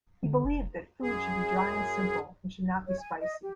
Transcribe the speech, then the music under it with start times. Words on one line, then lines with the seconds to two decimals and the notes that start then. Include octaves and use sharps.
He believed that food should be dry and simple and should not be spicy.
0.23 D3
0.45 F1
1.03 F#2 G#4
2.86 C#5
2.99 G#5
3.19 D#5
3.42 G4